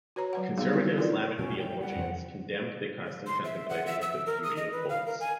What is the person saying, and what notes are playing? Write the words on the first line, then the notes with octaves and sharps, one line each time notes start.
Conservative Islamic theologians condemned the custom of contemplating the beauty of boys.
F#4 B4 C#5 A#5
F#3 B4 F#5
G3 B3 D#4 G#4 F5
G3 C4 E4 F#4 G4
D#4 F4 A4 A#4 D5
B2 F3 F#3 C#4
G2 G5
G3 F#5
F2 C#3 F3
C6
E5
F#5
E5
E6
A#4
D#6
D#5
B4
F5
A#4
G#5